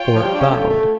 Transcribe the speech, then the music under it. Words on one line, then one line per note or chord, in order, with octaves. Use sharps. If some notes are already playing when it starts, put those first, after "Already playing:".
Fort bowed.
Already playing: F4 C#5 G5
F3
G3
D4
C#4
A3
A3